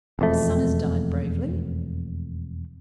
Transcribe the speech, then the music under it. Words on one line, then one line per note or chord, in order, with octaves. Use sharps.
Her son has died bravely.
E1 F2 A3